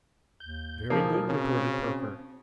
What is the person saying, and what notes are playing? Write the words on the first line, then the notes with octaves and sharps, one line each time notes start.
'Very good,' retorted Perker.
D#2 G6
B2 F3 A#3 D#4 G#4 A4
C#3 C4 C#4